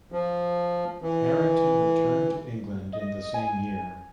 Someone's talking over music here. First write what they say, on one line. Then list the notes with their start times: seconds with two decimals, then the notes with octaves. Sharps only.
Harrington returned to England in the same year.
0.12 F3
1.02 E3
2.93 D#5
3.34 G#5